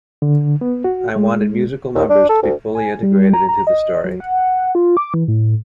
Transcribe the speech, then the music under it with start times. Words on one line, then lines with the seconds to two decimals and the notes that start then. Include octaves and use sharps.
I wanted musical numbers to be fully integrated into the story.
0.22 D3
0.61 B3
0.84 F#4
1.16 G#3
1.95 D#2
2.10 D4
2.29 A4
2.43 D2
2.75 G#5
3.03 G3
3.34 A#5
3.49 A#5
3.67 D#5
4.04 F#3
4.20 F#5
4.75 F4
4.97 D6
5.14 E3
5.28 A2